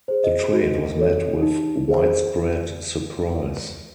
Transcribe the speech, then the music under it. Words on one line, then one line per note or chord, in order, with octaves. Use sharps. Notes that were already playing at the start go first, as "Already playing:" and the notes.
The trade was met with widespread surprise.
G#4 C5
D#5
F#4
A4 C#5
D#4
G#4 C5